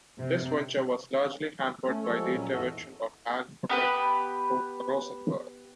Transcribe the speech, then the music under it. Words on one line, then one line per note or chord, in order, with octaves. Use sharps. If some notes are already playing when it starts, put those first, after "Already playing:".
This venture was largely hampered by the intervention of Alfred Rosenberg.
C3
A3 C#4
F3 G3 G#3 A4 C#5
A#2 F#3 C#4
E2 G#2 E3 F#4 A4 D#5
B3 G4 B4